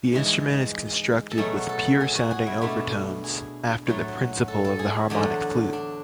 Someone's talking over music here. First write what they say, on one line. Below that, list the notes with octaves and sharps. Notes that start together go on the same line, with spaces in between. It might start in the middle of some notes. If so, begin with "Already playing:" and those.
The instrument is constructed with pure sounding overtones, after the principle of the harmonic flute.
G#2 E3 G#3 G#4
A4
B2 F#3 A3 G#4
A4
G#4
F#4
G#4
E4
B2 A3 D4
G#4
A2 F#3 A3
A4
A4
G#4
E2 D3 F#3 A3 D4
D4